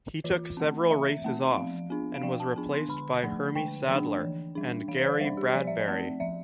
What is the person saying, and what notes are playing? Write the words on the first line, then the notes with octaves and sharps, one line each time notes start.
He took several races off, and was replaced by Hermie Sadler and Gary Bradberry.
E3 F4
A3 C4
E3 E5
A3 C4
F3 F5
B3 D4
F5
F3 G5
A5
B3 D4
C6
D3 B5
F3 A3 D4
D3 G5
F3 A3 D4
E3
G3 D4
E3 F5
C5
D5
G3 D4 C5
G4
F3 D5
E5
D5
A3 C4
F3 E5